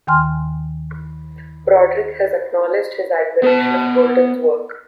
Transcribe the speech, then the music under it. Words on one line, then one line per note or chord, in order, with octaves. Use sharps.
Broderick has acknowledged his admiration of Golden's work.
D#2 D#3 G5 G#5 C6 F6
B3 A5